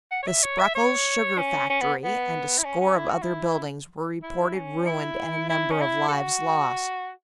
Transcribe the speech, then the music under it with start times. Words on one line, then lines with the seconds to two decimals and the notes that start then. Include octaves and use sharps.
The Spreckels' sugar factory and a score of other buildings were reported ruined and a number of lives lost.
0.11 F#5
0.23 C#5
0.27 E5
0.43 C#5
0.59 E5
0.75 C#5
1.38 C#4
1.69 C#4
1.81 B3
2.04 B3
2.58 E4
2.64 C#4
2.80 C#4
2.96 E4
3.09 F#4
3.22 E4
4.23 E4
4.54 C#4
4.86 E4
5.49 E4
5.71 C#4
5.81 E4
6.08 A4
6.12 F#4